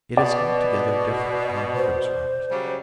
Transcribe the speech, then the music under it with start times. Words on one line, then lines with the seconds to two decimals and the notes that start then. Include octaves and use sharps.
It is altogether different on Hooker's ranch.
0.17 B2 D5
1.76 C5
2.50 C#3 F#3 G3